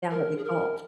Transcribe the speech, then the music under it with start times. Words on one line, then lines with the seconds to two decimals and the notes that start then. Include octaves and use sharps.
down to the Gulf
0.11 A#4
0.38 G#4
0.44 A#4